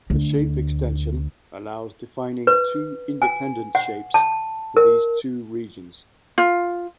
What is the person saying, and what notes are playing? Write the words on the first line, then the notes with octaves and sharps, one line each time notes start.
The shape extension allows defining two independent shapes for these two regions.
D2
B4
G#5
F#5
A5
A#4
F4